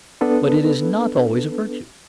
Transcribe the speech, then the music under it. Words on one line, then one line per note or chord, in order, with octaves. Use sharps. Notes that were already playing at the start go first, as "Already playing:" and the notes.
But it is not always a virtue.
B3 D4 A4 B4